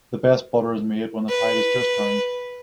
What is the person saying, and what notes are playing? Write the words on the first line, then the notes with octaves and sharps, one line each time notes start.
The best butter is made when the tide has just turned.
B4